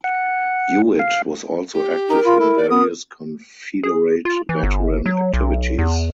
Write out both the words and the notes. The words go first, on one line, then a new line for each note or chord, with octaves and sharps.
Hewitt was also active in various Confederate Veteran activities.
F#5
F5
G4
D#4 A#4
F4 B5
E4 A4
D5
B3 D#6
G#4
F4
E3
G1
F#3
B1
E2